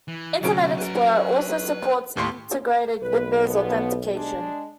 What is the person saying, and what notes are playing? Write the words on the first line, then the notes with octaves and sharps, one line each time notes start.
Internet Explorer also supports Integrated Windows Authentication.
E3
D2 C3 F#3 C#4 D7
B4 A#5
D#2 A2 G4 C6
B1 B4
B2 F3 B3
G#3 D4